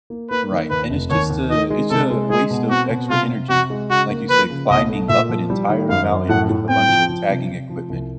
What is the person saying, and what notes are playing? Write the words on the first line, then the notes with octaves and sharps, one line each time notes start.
Right, and it's just a it's a waste of extra energy, like you said, climbing up an entire mountain with a bunch of tagging equipment,
A#3
A#3 B4
D#3
D#2 B4
F1
D#2 C#5
D#2
D#3 D#5
G#3
C3 A4
G#3
G#3 G#4
B2
C4 F#4
B2
C3 F4
C3
C3 F#4
G#3
C#3 F#4
A#3
F3 B4
C#3
B1 D#5
A3
A#2 E5
F3
G3
D#3
F#2 F5
F#2
A2 F#5
A2
C4 G5
F3
F3
C3
C3
F3
C2